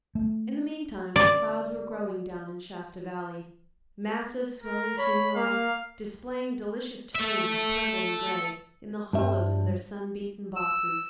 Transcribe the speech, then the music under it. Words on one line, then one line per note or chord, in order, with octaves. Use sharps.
In the mean time clouds were growing down in Shasta Valley--massive swelling cumuli, displaying delicious tones of purple and gray in the hollows of their sun-beaten bosses.
A3
D5
A#4
C#5 B5
A#3 F5
A4 E5
G2 E5
E6